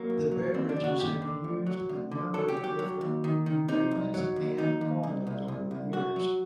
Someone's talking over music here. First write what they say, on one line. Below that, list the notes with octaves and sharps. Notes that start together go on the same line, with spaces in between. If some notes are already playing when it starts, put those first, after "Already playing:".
The beverages have used a number of different ingredients and formulas over the years.
Already playing: F#3 A#3
F#2
F#3
D#2 C4
D4
D#2
F#4
D#2 G4
D3
D2
F#3
D2
D3
F#3 A4
G4
F#3
G4
F#3
D#2
D#3
D#3
C3 D#4
C2
F#3
D#2
D#2 D#4
D#2
C2
C2
C2
C2
F#2 F#4
F#3